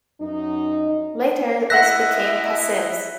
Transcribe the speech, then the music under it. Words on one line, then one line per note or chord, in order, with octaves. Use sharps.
Later, this became Passim's.
F#2 D#4
E4 D#5 E5 F#5 E6 F#6 A#6 B6